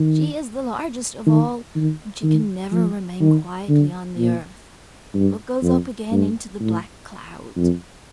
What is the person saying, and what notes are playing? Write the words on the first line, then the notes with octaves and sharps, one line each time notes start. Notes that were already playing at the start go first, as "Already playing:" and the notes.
She is the largest of all; and she can never remain quietly on the earth, but goes up again into the black clouds.
Already playing: D#3
D#3
D#3
D#3
F3
D#3
D3
A#2
G2
F2
G2
A2
F2